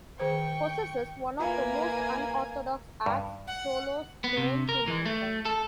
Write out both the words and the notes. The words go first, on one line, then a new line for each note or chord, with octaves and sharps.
Possesses one of the most unorthodox 'axe' solos known to mankind.
D#3 G#4 C5 G5 C#6
A#3 E4 F4 B4 F5 G#5
G2
F#5
B3
C3
A#4
E3
A3
A4